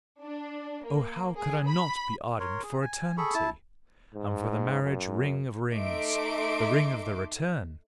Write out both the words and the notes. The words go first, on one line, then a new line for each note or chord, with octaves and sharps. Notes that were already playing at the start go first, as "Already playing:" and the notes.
Oh, how could I not be ardent for Eternity, and for the marriage-ring of rings--the ring of the return?
D4
A#3
G#4
B5
A#4 C#5 C6
G#4
G#5
G#4 A4 B5 C#6
E4 A5
G#2
F#2
A3 D#4 E5 C6 D6 D7